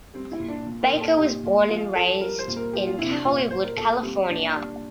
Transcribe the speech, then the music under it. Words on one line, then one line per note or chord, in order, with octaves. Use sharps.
Baker was born and raised in Hollywood, California.
G3 C4
E4
A#2
D4
A#2
A#4
A#2
A4
A#2 G4
A#2
F3 F4
F3 A4
G3 A#4
C5
A#2
A#4
F3 G4
F4
C3 E4
C4
D4
A#2 F4
A#2 C5
A#4
A#2 A4
G3 C4
A#2 D4
G3 D4